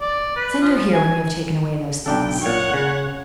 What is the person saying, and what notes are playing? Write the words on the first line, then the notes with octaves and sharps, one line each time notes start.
"Send her here when you have taken away those things."
D5
B4
F3
G#5
B1 D4 A4 G5
F#2 A#2 C#5 F#5
C#3